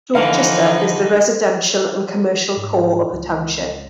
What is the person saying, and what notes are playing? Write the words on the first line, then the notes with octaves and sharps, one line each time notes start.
Dorchester is the residential and commercial core of the township.
D3 E3 F3 D#4 F5
G#2
C#2